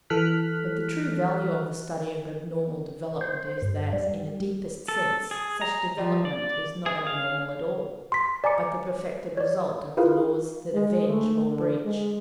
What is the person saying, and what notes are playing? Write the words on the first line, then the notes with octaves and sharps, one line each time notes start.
But the true value of the study of abnormal development is that, in the deepest sense, such development is not abnormal at all, but the perfected result of the laws that avenge law-breach.
E3 A4 F6 F#6 B6
C5
G2
G3
A4
G#4
A#5
F3
D5
G#4
F5
C6 B6
D5 G#5 A#5 D6 C#7
C#5 D5
E4 F4 G#4 A#4 B4 F5
G#3
A3
D3
G#3